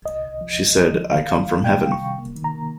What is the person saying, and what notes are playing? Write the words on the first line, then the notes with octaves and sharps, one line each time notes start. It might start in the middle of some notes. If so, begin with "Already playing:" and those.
She said: "I come from Heaven".
C2 D#5
C2
F3
C2
F3
F3
D#3 F5
D#3
G3
G3 G5
C3
C#6
C3
A#3
D#3
A#5
A#3